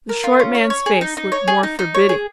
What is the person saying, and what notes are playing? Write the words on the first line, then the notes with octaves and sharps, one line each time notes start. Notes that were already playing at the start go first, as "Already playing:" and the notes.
The short man's face looked more forbidding.
A#4
F4
C#4
C#5
C#5
G#4
D#4
D#4
C#5
G#4
D#4
D#4
C#5
G#4